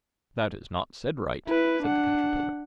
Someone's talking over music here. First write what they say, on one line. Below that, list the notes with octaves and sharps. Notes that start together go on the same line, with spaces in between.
'That is not said right,' said the Caterpillar.
E4 B4
D4 F#5